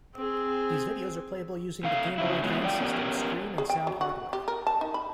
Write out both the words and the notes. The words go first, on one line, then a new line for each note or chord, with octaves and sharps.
These videos are playable using the Game Boy Advance system's screen and sound hardware.
C4 G#4
C3 A3 F5
C#3 F#3 E4
F3 G#3 B3 C#4 F#4
D3 F3 F4 D5 G5
B3 C#4 D4 E4 G4 A#4
G#4
G5
F#3
F#4
G4
A#4
A5
D#4
B5